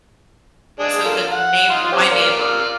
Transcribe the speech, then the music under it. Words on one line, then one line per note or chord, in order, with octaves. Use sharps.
so, the neigh my neighbor
G#3 D4
F4 A4 A#4
F#5
D#4 F4 C6
C#4 G4 C5
F4 A#4 D5